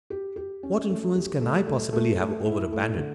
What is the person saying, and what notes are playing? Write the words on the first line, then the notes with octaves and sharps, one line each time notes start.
"What influence can I possibly have over a bandit?"
G4
G4
C#4
A3
G4
A3
A3
A3
A3
E4
A3
D3